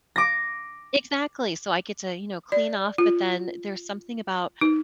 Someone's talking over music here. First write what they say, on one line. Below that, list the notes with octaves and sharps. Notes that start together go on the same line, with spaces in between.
Exactly, so I get to, you know, clean off, but then there's something about
D6 A#6
D5
F4
D#4